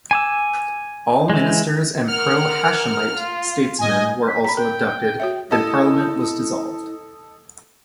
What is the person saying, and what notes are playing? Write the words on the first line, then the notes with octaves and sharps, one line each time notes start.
All ministers and pro-Hashemite statesmen were also abducted, and Parliament was dissolved.
G#5 D6 E6
E3 G#3
A#4 F#5 F6
F4
A2 D#5 G#5
B6
A#5 B5 B6
A#4 G5
F#4 C#5 E5
E4 A4 D#5